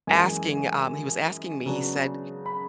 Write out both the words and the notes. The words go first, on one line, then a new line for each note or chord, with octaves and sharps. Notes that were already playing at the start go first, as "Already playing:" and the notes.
asking, um he was asking me, he said,
F#2 E3 G#3 G#5
C#3 F#3 B3 D4
B5